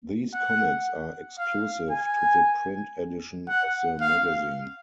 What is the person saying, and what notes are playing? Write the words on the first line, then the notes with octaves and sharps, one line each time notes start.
These comics are exclusive to the print edition of the magazine.
F#5
F5
G#5
F#5
F5